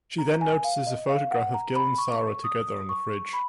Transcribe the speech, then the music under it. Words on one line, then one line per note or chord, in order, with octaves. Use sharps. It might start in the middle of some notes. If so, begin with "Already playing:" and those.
She then notices a photograph of Gil and Sara together on the fridge.
A#5
G#5
F5
D#5
F5
F#5
A#5
B5
C#6
D#6
C#6
B5